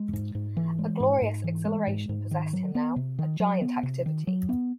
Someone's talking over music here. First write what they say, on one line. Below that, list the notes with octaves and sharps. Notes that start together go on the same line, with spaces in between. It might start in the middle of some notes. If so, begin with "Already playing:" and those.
A glorious exhilaration possessed him now, a giant activity.
Already playing: G#3
G#2
G#2
E3
G#3
G#2
G#2
E3
G#3
G#2
G#2
D#3
F#3
B3
C3
D#3
F#3
B3
C3
D#3
F#3
B3